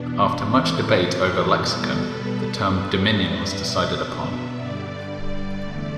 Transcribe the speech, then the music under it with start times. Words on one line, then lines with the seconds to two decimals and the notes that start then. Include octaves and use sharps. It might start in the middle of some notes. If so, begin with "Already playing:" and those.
After much debate over lexicon, the term 'Dominion' was decided upon.
Already playing: E2 B2 B3 D4
0.54 A2 E3 A3 E4
1.06 G4
1.56 B2 G3 B3 A4
2.07 B4
2.57 G2 G3 D4
3.07 E5
3.59 B2 B3 D4
4.59 G2 D3 G3 D5
5.61 E2 D3 A3